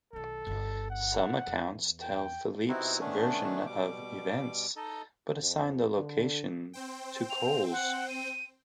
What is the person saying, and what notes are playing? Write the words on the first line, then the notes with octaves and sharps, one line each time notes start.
Some accounts tell Philippe's version of events, but assign the location to Cole's.
B1 D#3 A4
G1 D#4
F#5
E2
G5
C3 B3 C4 D#4 E4 F#4
D#3 A3 B3 C#4 D4
B2 G3 D6
D#4 A4 D#5
F2
D3
C4 C5 G5
F7
F#5
D#7